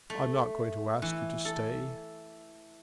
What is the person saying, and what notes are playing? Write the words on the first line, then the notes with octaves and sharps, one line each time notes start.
I'm not going to ask you to stay.
A3
E3
A4